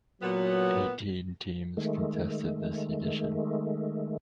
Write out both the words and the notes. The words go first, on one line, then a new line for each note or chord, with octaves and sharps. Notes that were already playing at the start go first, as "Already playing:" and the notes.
Eighteen teams contested this edition.
A#2 F#3 B3
D#3 G#3 A3